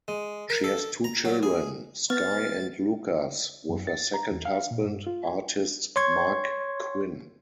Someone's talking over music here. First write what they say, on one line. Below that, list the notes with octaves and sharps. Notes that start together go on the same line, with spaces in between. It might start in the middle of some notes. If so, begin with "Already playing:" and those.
She has two children, Sky and Lucas, with her second husband, artist Marc Quinn.
G#3
A#4
A4
A#5
F#3
G#4
B3 B4 F6 A6
F#2
A6
A#5
E2
F5
A#2
G2
F4
G#5
C#5 C6 C#6 G#6